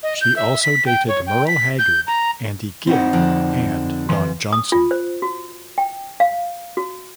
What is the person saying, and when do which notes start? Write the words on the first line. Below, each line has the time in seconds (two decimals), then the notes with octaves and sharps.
She also dated Merle Haggard, Andy Gibb, and Don Johnson.
0.03 D#5
0.21 G6
0.36 E5
0.62 B6
0.86 G5
1.08 C#5
1.27 G5
1.47 B6
1.79 G6
2.07 A#5
2.87 C4 D#4 E4 F#4
3.13 F2 D3 D4
4.09 E3 C6
4.53 D#6
4.72 F4
4.91 C5
5.22 F#4
5.78 G5
6.20 F5
6.77 F#4